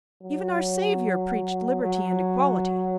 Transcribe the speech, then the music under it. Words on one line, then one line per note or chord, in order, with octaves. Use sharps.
Even our Saviour preached liberty and equality.
F#3
F#3